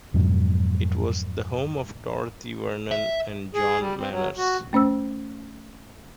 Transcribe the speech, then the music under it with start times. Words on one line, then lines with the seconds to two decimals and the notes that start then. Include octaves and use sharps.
It was the home of Dorothy Vernon and John Manners.
0.14 F2 G#2 B2 F#3
2.91 E5
3.54 G#4
3.80 G3
3.98 C4
4.12 F#3
4.37 F#4
4.73 A3 C#4 C5 E6